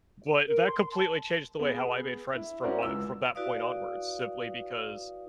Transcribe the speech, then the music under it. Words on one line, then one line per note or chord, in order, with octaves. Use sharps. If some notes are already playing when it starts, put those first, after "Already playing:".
but that completely changed the way how I made friends from my from that point onwards, simply because
A#4
C6
A5
B3 G#4
E4
C#4 E4 F#4 A#4 C5 D5
C#2 E6
E4 F#4 B4 D5 F5 D#6